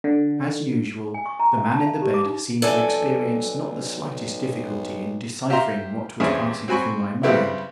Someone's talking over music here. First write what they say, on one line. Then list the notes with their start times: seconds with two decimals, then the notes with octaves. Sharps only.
As usual, the man in the bed seemed to experience not the slightest difficulty in deciphering what was passing through my mind.
0.04 D3
1.14 G#5
1.26 C#6
1.39 A#5
1.58 F5
1.74 A5
1.87 F5
2.02 G4
2.14 D6
2.26 D#4
2.62 B1 A4 D5 G#5
5.50 G4 E5 F5 A#5 C6
6.20 E2 G2 C4 C#4 G#4 E5
6.68 C4 F#4 G#5 B5 C#6
7.23 C#3 G3 B3 C4 E4